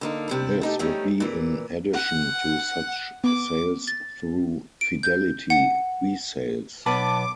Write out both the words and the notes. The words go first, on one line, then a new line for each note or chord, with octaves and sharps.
This would be in addition to such sales through Fidelity Resales.
D3 A#3 D#4
C3 G3 E4
A3 D#4 G4
D#3 E3 G3 A3 C#4 D#4
A#2 E3
F#5
B3 D6
A6
D7
G6
F#5
B1 B3 B4 A5 D6